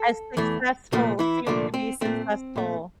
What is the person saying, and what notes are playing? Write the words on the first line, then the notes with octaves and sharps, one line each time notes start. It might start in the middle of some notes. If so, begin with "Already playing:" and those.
As successful, soon to be successful.
Already playing: A4
E2 E3 A3
C2 A#2 F3 A3
E3 E4
C2 A#2 D3 F3 A3 D4
C4
A#2 A3 C4
A#2 A3